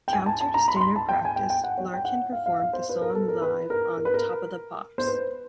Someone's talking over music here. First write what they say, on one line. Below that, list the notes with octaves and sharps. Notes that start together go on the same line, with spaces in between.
Counter to standard practice, Larkin performed the song live on "Top of the Pops".
G5
G#5
A5
A5
A#5
B5
C6
B5
A5
G5
G#5
G5
G5
F#5
C#5
G5
F#5
F5
F5
F5
C5
B4
A#4
A4
A#4
B4
A#4
A#4
B4
A#4
C5
B4